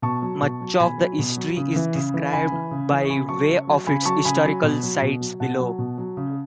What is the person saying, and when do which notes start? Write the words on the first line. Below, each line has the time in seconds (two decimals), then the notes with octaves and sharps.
Much of the history is described by way of its historical sites below.
0.02 B2 A5 C#6
0.22 F#3
0.41 B2
0.61 F#3
0.79 B2 G#5 B5
0.98 F#3
1.19 B2
1.37 F#3
1.57 C#3
1.76 E3
1.95 C#3
2.14 E3
2.33 C#3 G#5 B5
2.52 E3
2.71 C#3
2.91 E3
3.05 C#6
3.10 C#3 G#5 B5
3.29 F#3 A5 C#6
3.48 C#3
3.67 F#3
3.87 C#3 G#5 B5
4.05 F#3 A5 C#6
4.25 C#3 G#5 B5
4.44 F#3
4.63 B2
4.83 F#3
5.02 B2
5.21 F#3
5.40 B2 F#5 A5
5.60 F#3
5.78 B2
5.98 F#3
6.17 C#3